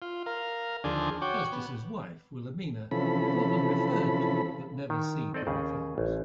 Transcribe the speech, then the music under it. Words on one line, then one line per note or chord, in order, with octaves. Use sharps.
Justice's wife, Wilhelmina, if often referred to but never seen in the films.
F4
A#4 F5
D#2 D3 F3 D4 G#4 C6
F#4 C#5 G5 D6
B3
C3 E3 F3 C#4 A4 B5
D#3
C4 A4 D5 D#5
D#2 C#3 G#4
A1